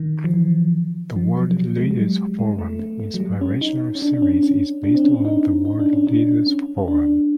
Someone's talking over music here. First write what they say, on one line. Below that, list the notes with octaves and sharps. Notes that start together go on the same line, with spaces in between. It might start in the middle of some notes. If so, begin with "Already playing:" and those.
The World Leaders Forum Inspirational Series is based on the World Leaders Forum.
Already playing: D#3
F3
E3
F3
F#3
F#3
G#3
G3
F#3
G3
G#3
A3
A3
A3
F#3
G3
C#4
D#4
C#4
D4
D4
C#4
C#4
D4
C4
C#4
D4
D#4
D#4
D4
C#4
D4
C#4
C#4
D4